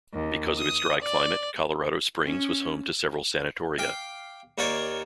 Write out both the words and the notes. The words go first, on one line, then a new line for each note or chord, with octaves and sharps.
Because of its dry climate, Colorado Springs was home to several sanatoria.
D#2
D#6
D5
C#4
F5 G5 D6
D#2 A#3 A#4 C#5 D5